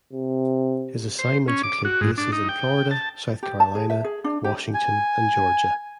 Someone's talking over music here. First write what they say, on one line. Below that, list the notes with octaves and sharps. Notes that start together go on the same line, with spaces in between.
His assignments include bases in Florida, South Carolina, Washington and Georgia.
C3
C5
C#4
D6
F#4
G#2
D4
D#4
G5
A5
G4
A5
G#4
E5
G#4
D4
G4
G#5